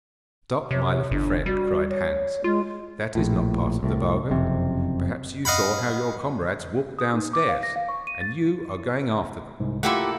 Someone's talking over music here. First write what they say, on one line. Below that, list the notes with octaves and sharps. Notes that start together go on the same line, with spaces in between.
'Stop, my little friend!' cried Hans. 'That is not part of the bargain! Perhaps you saw how your comrades walked down stairs, and you are going after them.
C3 C#5
G1 D4
G3 F#4
C#5
G#3 F4
A#1 A2
C2 A2
F#1 F2 C3
D#5 F5 F#5 B5
D#6
D#4
D6
F5
A#6
F5
C#6
D#7
A6
C2 G#2
A3 A#3 E4 F4 G4 F#5